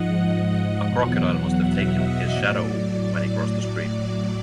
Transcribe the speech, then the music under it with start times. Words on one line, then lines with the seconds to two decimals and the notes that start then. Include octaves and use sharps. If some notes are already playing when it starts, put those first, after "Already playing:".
A crocodile must’ve taken his shadow when he crossed the stream.
Already playing: G#2 F3 D#5 F#5
0.14 F#5
0.87 E2 B2 F#3
1.23 F#5
1.59 E5
1.95 D#5
2.31 A2 F#3 D5